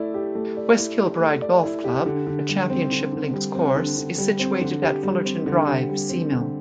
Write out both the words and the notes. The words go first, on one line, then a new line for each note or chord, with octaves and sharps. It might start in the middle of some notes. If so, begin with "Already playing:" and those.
West Kilbride Golf Club, a championship links course, is situated at Fullerton Drive, Seamill.
Already playing: A3 E4 D5
G4
A3
D5
E4
G4
A3
D5
E4
G4
D3
D3
G3
C4
D3
D3
G3
C4
D3
D3
G3
C4
D3
G4
G3
C4
D3
G4
G3
C4
D3